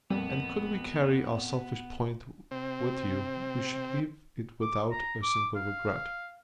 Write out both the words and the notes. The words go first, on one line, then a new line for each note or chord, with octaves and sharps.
And could we carry our selfish point with you, we should leave it without a single regret.
F2 A#2 G3 B3
C3 C4
D6
A#5
D6
F5